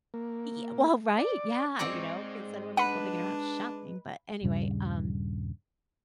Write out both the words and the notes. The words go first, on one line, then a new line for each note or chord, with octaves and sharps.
Ye well, right? Yeah, you know, 'cause I don't want people thinking I'm out shopping, but anyway, um,
A#3
D5
G#3 C4 D#4 D5 C#6
D4 B4 F#5 B5
D#1 G2 C#3 G3